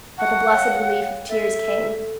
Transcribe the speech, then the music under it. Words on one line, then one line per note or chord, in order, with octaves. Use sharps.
But the blessed relief of tears came.
F#5 A5 C#6
C#5 F5 G5
A4 E5